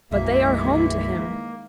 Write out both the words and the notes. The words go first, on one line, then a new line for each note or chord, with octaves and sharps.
But they are home to him!
B1 F#2 D#3 E3 F#3 G#3 A#3 E5